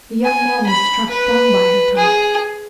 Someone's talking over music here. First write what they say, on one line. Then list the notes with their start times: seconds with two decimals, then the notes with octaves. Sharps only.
The young man was struck dumb by her talk.
0.24 G#5
0.67 B5
1.10 B4
1.97 G#4